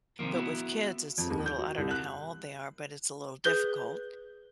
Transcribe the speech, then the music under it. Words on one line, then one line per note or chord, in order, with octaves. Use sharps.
but with kids it's a little I don't know how old they are, but it's a little difficult,
C3 D#3 F3 A#3
B3 E4 F#4
F2
D#2
G6
F#4
C2
F#6
G#4 B4 G6 G7